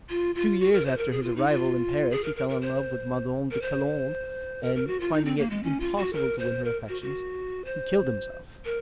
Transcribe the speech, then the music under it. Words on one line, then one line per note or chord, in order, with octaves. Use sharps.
Two years after his arrival in Paris he fell in love with Madame de Colande, and, finding it impossible to win her affections, he killed himself.
F4
F4
F#4
A#4
C5
A#4
G#4
F4
D#4
F4
G#4
A#4
A#4
A#4
C5
A#4
C5
A#4
A#4
F#4
F4
D#4
C4
A#3
G#3
C#4
F4
F#4
A#4
C5
A#4
F#4
F#4
C5
A#4